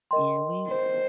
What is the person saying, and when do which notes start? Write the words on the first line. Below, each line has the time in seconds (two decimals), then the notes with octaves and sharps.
and we
0.11 A#4 D#5 G5 C6
0.68 C5